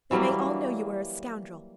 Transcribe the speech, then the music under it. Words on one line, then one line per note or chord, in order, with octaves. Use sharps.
They may all know you are a scoundrel!
E3 F#3 G3 A#3